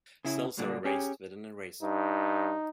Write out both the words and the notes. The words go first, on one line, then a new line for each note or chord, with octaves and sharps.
Cells are erased with an eraser.
C#3 E4
D2 G2 A#2 D3 D4
C#4 G4 G#4
G2 D#4